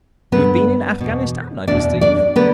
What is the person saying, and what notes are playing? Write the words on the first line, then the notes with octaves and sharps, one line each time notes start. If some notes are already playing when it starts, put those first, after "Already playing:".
"You have been in Afghanistan, I perceive."
G2 D3 B3 B4
E2 B2
E2 B2 D4 D5
D4 D5
D3 B3 B4